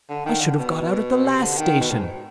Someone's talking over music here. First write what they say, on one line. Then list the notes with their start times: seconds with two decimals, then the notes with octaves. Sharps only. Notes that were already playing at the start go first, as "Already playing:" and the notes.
I should have got out at the last station.
0.09 D3
0.26 D#3
0.41 D3
0.59 B2
1.25 C3
1.42 D3
1.59 D#3
1.81 B2
1.92 G#2